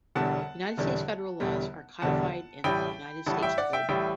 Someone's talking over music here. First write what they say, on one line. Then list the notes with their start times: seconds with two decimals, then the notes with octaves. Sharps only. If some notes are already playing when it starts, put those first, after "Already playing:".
United States federal laws are codified in the United States Code.
0.15 E1 E2 D3 G3 F#5 A5
0.77 E1 E2 D3 G3
1.40 E1 E2 D3 G3
2.02 E1 E2 D3 G3 F#5 A5
2.64 A1 A2 G3 G5 B5
3.26 A1 A2 G3 F#5 A5
3.42 E5 G5
3.58 D5 F#5
3.73 E5 G5
3.89 A1 A2 G3 E5 G5